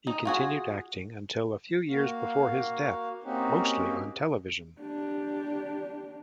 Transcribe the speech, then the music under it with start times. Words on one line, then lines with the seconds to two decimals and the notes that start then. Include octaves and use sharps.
He continued acting until a few years before his death, mostly on television.
0.07 D#4
0.25 F4 F#4 G#4
1.90 A#3 F#4 F5
3.24 A#3 C4 C#4 D#4 F#4 G4
4.80 D4 G4